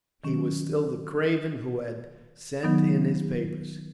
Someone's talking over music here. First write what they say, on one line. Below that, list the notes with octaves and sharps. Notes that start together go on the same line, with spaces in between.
He was still the craven who had sent in his papers?
D#3 F#3 C#4
D#3 F#3 B3 D#4